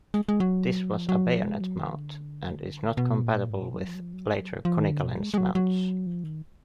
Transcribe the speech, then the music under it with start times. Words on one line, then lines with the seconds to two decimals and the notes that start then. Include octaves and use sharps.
This was a bayonet mount, and is not compatible with later Konica lens mounts.
0.14 G#3
0.29 G#3
0.40 F#3
0.92 F3
1.09 F#3
1.26 F3
1.38 F#3
1.43 G#3
1.61 F#3
1.77 D#3
1.95 D3
2.97 B2
3.23 A#2
3.50 G#2
3.62 B2
3.74 F#3
3.88 F3
3.95 F#3
4.00 F3
4.14 F#3
4.27 G#3
4.39 F#3
4.65 F3
4.78 D#3
4.91 D3
5.04 B2
5.15 F#3
5.21 G#3
5.34 G#3
5.38 F#3
5.55 F#3
6.06 F3
6.24 D#3